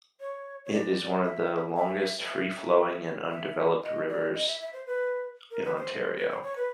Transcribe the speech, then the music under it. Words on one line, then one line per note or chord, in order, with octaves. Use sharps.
It is one of the longest free-flowing and undeveloped rivers in Ontario.
C#5
C#5
D5
E5
E5
E5
E5
D#5
D5
D#5
E5
E5
C5
B4
A#4
B4
C5
B4
C5
C#5
B4